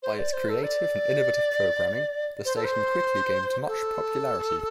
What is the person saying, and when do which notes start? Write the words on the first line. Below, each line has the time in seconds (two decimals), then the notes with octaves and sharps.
By its creative and innovative programming, the station quickly gained much popularity.
0.03 C5
0.19 D5
0.33 C5
0.49 A4
0.63 D5
2.45 C5
2.56 A4
2.65 C5
3.67 A4